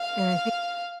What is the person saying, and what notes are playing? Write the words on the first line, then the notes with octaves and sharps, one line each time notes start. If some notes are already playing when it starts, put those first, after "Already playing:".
And I think
Already playing: F5